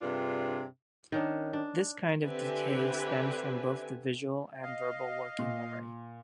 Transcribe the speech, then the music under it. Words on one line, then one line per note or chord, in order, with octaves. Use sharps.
This kind of decay stems from both the visual and verbal working memory.
G2 C3 D4 F4 G#4
D#3 C#4 D4
D4
D3 C4 G4 B4 E5 G#5
D#5 F5
A#2